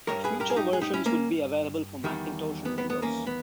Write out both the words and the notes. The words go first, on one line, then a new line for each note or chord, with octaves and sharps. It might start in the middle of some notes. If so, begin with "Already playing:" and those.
Future versions would be available for Macintosh and Windows.
G2 D#3 G3 A#4 C#5
G#4 B4
G4 A#4
G#4
D#4 G4
G#4
D#4 G4
C#4 E4
A#3 C#4
E2 D#3 G3
B3
B3
B3
A#3 C#4
B3